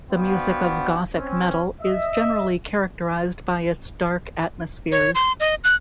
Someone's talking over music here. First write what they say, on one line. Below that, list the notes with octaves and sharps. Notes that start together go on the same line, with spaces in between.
The music of gothic metal is generally characterised by its dark atmospheres.
B3 D4 F#4 C5 F5 G5
C4 C#4
D#5 E5
C#5
C6
D#5
F#6